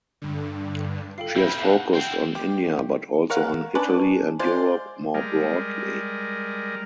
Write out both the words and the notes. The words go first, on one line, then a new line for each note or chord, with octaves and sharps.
She has focused on India but also on Italy and Europe more broadly.
G2 D3
F4 A4 G5 C7
B2 A#3 B4 E5 G6
F5 F#5 A5 F#6
C4 E4 G5 G6 C7
G4
A#4 C#5 F5 F#5
C#4 D4 B4
G#3 F4 C5 D5
G3 G#3 A#4